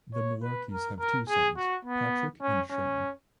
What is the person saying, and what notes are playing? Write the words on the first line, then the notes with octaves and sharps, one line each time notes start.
The Mularkeys have two sons, Patrick and Shane.
C#5
B4
A#4
A#4
G#4
F#4
B3
C#4
C#4